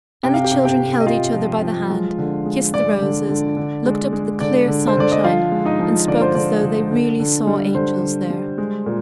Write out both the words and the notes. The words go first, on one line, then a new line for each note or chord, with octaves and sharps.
And the children held each other by the hand, kissed the roses, looked up at the clear sunshine, and spoke as though they really saw angels there.
C3 G5
F5
G4 G5
C3
G4 G5
C3
D#5
C3 F4 F5
F3
F3
G#3
D3
G#3
G#3 D5
D3
D3
D3
G#3
G#3
D3 D5
D3
C5
D3 D5
D#5
F3 F4 F5
G#3
D#4 D#5
F3
D3 D5
C5
D3 D5
D3
D3
D3
G3
D3 C5
D3
G3
G#3
A#2